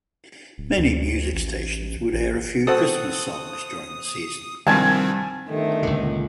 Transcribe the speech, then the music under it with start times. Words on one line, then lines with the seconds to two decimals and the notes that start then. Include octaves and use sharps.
Many music stations would air a few Christmas songs during the season.
0.58 D1
0.78 D2
1.33 A1
2.13 A1
2.67 C4 F#4 A4 D#6
4.67 C2 G2 D#3 F3 C4 G#5 A5
5.49 G1 D#3 A3
5.83 C#2 A#2 D3